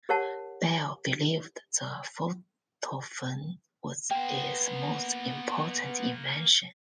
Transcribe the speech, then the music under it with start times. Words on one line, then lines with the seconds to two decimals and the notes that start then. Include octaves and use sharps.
Bell believed the photophone was his most important invention.
0.09 G4 A#4 C#5 F#5 A5
4.11 A#3 B3 C5 G5